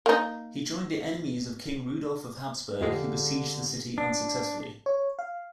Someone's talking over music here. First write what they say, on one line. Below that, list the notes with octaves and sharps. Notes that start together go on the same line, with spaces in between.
He joined the enemies of King Rudolph of Habsburg who besieged the city unsuccessfully.
A#3 D#4
F2 D3 G#3 G4 A4 F5
D4
C#5
F5